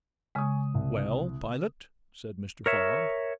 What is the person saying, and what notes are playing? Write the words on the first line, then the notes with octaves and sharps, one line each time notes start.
"Well, pilot?" said Mr. Fogg.
C#3 G#3 G#5 C#6 D#6
C2
A#4 C#5 E5